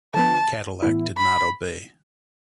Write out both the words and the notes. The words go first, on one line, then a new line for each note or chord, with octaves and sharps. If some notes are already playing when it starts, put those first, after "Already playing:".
Cadillac did not obey.
D3 F3 B3 A5
A2 E3 B3 E4
B5